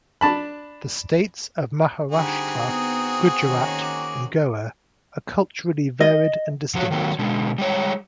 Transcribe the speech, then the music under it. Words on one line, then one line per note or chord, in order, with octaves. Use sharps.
The states of Maharashtra, Gujarat and Goa are culturally varied and distinct.
D4 A5 B5
D3 G3 C4 D#4 F#4 G#4
B3 D#4 D#6
D#3 A#3 C#4
D6
D#5
F3 F#3 F#4 B4 C#5
D#3 F#3 A#3
B2 D3 G#3
G3 G#3 C#5